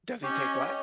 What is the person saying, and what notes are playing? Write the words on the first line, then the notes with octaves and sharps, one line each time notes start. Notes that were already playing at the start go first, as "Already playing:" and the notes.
Does he take what?
C#4 G4 C#5 D#5